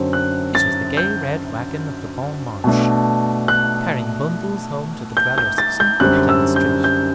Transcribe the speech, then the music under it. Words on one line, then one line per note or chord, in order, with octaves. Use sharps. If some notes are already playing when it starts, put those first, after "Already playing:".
It was the gay red wagon of the Bon Marche, carrying bundles home to the dwellers of some up-town street.
Already playing: F#2 D3 F#3 C4
F#6
A6
G6
B2 A3 D4
F#6
G6
G6
A6
G6
F#2 D3 G3 C4 F#6
E6
G6
G6